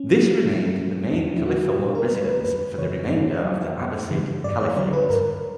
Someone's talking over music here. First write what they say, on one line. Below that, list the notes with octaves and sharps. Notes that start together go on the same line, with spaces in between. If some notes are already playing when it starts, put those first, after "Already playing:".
This remained the main caliphal residence for the remainder of the Abbasid Caliphate.
Already playing: C#4
F#3
B2
F#3
E2 D4
E4
D3 G3 F#4
A#2
A#4
G3 B4
C#5
B4
F#2 B4
C#3 E3 C#5
G2
F#3
F#2
C#3 E3 G3
G2 D5
C#5
D3 F#3 C#5
B4
G2 A#4